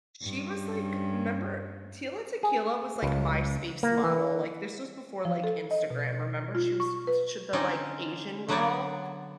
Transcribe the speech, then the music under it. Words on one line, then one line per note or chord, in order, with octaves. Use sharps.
she was, like 'member Tila Tequila was, like, MySpace model, like, this was before, like, Instagram, remember? She was ch the, like, Asian girl,
G2 C#4
G#4
C#2
A#3
E3
F3
A4
D#5
B2
F4
C#6
B4
D3 C4 C#4 D#4 D5
D3 F#3 B3 B4 C#5 D5